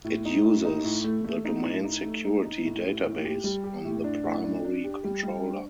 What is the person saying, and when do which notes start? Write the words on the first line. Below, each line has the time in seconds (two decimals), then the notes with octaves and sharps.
It uses the domain security database on the primary controller.
0.04 A2
0.25 D#4
0.44 A2
0.65 D#4
0.84 A2
1.04 A3
1.24 A3
1.45 D#4
1.64 A2
1.84 D#4
2.04 A3
2.24 D#4
2.44 D#4
2.65 A2
2.85 A2
3.04 A2
3.24 G4
3.44 G3
3.64 G4
3.85 A2
4.04 D4
4.23 A2
4.43 D4
4.64 D4
4.84 G4
5.04 G3
5.23 G3
5.44 D4